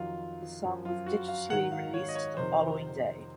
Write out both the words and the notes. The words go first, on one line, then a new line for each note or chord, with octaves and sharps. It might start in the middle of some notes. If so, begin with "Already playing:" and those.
The song was digitally released the following day.
Already playing: F2 D#3 F#3 F4
F#2 F3
F4
F#4
F5
G#2 D#3 F#3 F#5
F5
C#5
D#5
C#5
F2 C3 D#3 C5